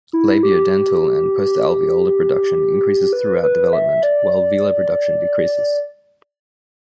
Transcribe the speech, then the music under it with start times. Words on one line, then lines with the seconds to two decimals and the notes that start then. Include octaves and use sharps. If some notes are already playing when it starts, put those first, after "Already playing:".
Labiodental and postalveolar production increases throughout development, while velar production decreases.
0.13 E4
0.43 G4
3.13 B4
3.43 B4
3.73 E5
4.03 D5